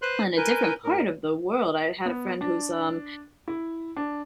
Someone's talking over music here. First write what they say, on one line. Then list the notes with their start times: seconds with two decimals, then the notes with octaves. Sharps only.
on a different part of the world. I had a friend who's, um,
0.02 B4 C5 C6 F#6
0.37 A#4 B4 G#5 G6
0.84 A2 A#4
2.05 B3
2.41 D4
3.48 E4
3.96 D4